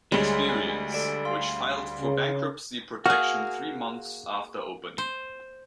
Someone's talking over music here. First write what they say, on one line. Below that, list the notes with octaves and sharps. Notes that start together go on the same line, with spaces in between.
Experience, which filed for bankruptcy protection three months after opening.
D2 G3 G#3 C#5
A4 D5 D7
F5 C6
C#3 C#4
A#3 F#4 G#4 F5
C5